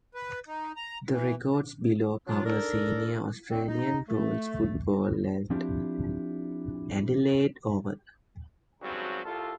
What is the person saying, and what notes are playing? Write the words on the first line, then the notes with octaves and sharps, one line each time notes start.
The records below cover senior Australian rules football at Adelaide Oval.
B4
D#4
A#5
E3
F#3 D4 F4
D4 D#4 A4 A#4
D3 A3 A#3 C4
D#4
A3
F3 C4 D4 E4 G4
G#1 G2 C#3 F#3 C4 F#4
C2 F4 A4